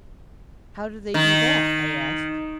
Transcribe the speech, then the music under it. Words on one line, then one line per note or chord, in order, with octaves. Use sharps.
"How do they do that?" I asked.
D#3